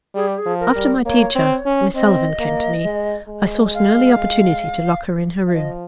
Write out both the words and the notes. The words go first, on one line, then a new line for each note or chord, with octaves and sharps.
After my teacher, Miss Sullivan, came to me, I sought an early opportunity to lock her in her room.
G3 G#4
G4
G#4
F3
A#4
G3
A#3 C#5
C4
C#4
C4 D#5
A#3
G#3
G#3
F5
F5
F3 D#5